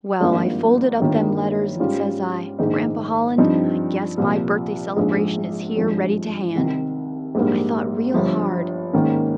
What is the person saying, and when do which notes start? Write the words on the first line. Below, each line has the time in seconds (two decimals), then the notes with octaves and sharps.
Well, I folded up them letters and, says I, "Grandpa Holland, I guess my birthday celebration is here ready to hand." I thought real hard.
0.21 G#1 G2 F3 A#3 F4
1.00 G1 G2 D#3 A#3 F4
1.79 G#2 G3 C#4 F4
2.59 A#1 G#2 D#3 G#3 D#4
3.38 G2 F3 C4 D#4
4.18 C2 A#2 F3
4.97 A#1 G#2 F3 G#3
5.76 G#1 G2 F3 G#3
6.55 C2 C3 D#3
7.35 A#1 G#2 G3 A#3
8.14 G1 G2 F3
8.93 G#2 D#3 A#3 C#4